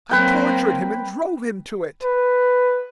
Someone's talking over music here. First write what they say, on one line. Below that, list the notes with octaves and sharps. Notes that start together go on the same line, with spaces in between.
I tortured him and drove him to it.
F#3 A#3 C4 B4 G5
B4